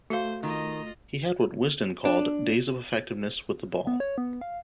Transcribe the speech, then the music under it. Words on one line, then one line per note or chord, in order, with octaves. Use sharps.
He had what "Wisden" called "days of effectiveness with the ball".
A3 F#4 C5 F5
D#3 F4 D#5
D4
B3
C#5
B3
F5